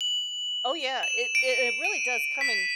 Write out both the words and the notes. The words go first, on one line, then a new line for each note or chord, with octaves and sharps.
Oh yeah, it it it really does come in,
F#7
E7
D7
D#7
B6